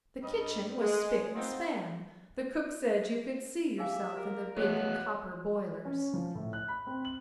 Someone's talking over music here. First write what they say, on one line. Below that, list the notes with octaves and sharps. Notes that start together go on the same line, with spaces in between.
The kitchen was spick and span: the cook said you could see yourself in the big copper boilers.
G2 G3 D#5
G#3
B3 C4 D#4 F4 B4 C5
G4 G#4 E5 F5 G#5
A#4
G#3 A3 B3 F#4 G#4 C#5 F#6
C#4
F3
A2
F#6
B5
C4
F#7